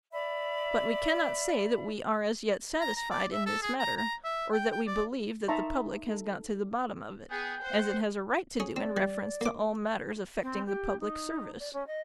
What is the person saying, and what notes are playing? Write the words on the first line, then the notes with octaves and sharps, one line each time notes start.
But we cannot say that we are as yet satisfied in this matter, or that we believe that the public has got to the bottom of it,--as it has a right to do in reference to all matters affecting the public service.
D5 E5 B5
A#5
A#5
D5
E5
A4
G#4
A#5
A#5
E5
G5
G5
D5
D#4 E5 A5 A#5 C6 C#6
A4
B3 G#4 G5
C5 F#5
C#4 G#4
C4 D5
G3
A#3 D6
C4
G4
D#4
D5
C#4
D#5